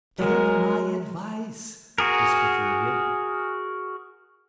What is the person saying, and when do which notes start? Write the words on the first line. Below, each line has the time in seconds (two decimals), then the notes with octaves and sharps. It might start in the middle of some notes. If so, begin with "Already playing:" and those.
"Take my advice," whispered the Idiot.
0.18 F#3 G#3 A#4
1.98 F#4 G#4 A#4